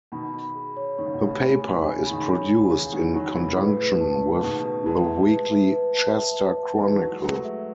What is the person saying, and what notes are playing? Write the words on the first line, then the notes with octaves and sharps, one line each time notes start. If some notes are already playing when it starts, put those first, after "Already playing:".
The paper is produced in conjunction with the weekly "Chester Chronicle".
B2 D#3 B5
B5
G#4
C#5
D#3 C#5
C#3
B2
A2 C#3 B5
G#5
G#5
D#3 G#5
C#3
B2 D#3 B5
C#5
G#5
C#3 E3 G#5
D#3 F#3 B5
D#3 F#3 C#5
C#3 E3 B5
A2 C#3 B4
B4
A5
B4
C#3
B2 D#3 B4
B4
E3 G#3 A5
E5
B4
E5
B4
A5
E5
B4
A5
D#3 B4
E3
F#3 F#4
G#3
F#3 A3 B4
E5